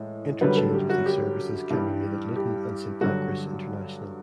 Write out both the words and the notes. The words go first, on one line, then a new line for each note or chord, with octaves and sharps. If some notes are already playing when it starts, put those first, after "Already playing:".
Interchange with these services can be made at Luton and Saint Pancras International.
Already playing: A2 E3 G#3
F#2 D3 G3 B4
A4
G4
F#4
G4
G2 E3 G3
G4
G2 D3 F#3 F#4